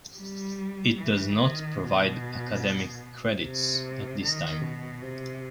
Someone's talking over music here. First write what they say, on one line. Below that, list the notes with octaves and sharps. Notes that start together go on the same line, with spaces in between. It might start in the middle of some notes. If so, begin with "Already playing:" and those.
It does not provide academic credits at this time.
G3
E3
D#3
B2
C3
D#3
B2
C3